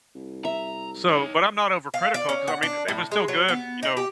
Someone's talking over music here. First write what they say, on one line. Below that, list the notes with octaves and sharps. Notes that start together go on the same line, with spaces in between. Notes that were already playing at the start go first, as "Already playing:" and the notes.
So but I'm not overcritical, 'cause, I mean, eh, it was still good, you know?
C2
E5 A#5
D#4 C#5
F5
D5
C#4
F#5
D4
A2
G#3
F#3
B3
D#4
G4